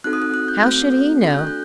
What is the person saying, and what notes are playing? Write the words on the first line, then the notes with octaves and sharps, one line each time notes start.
'How should he know?
C4 D#4 F#4 A4 F#6
D#6
F#6
F#6
G6
A3 C4 F#4 A4 G6
D4 F#4 A4
G6
F#6
G6